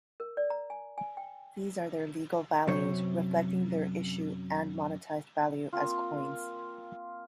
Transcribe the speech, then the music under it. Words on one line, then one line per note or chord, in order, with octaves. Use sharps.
These are their legal values reflecting their issue and monetized value as coins.
A#4
D5
A#5
G#5
G#5
G5
F#2 C3 F#3 C5 C#5
A#3 C4 F4